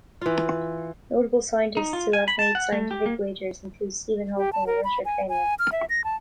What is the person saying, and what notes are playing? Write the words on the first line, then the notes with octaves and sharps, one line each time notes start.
Notable scientists who have made scientific wagers include Stephen Hawking and Richard Feynman.
E3 F4
D#4
F4
G#5
B5
A5
F#5
A3
G4
A#3
G4
A5
A#4
B5
G#5
G#5
F6
E5
A#6
A5